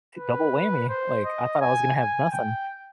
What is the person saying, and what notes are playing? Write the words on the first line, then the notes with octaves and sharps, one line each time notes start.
double whammy," like, I thought I was gonna have nothing.
B4
C5
D#5
G#5
G#5
G5